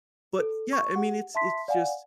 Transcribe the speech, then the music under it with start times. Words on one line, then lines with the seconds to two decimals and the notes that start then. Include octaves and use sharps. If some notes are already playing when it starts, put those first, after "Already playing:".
but, yeah, I mean, it's it's just
0.39 A4
0.73 C#6
0.96 G4 F#5
1.35 E5 A5 C6 B6
1.68 D5 F5 F#5 G#5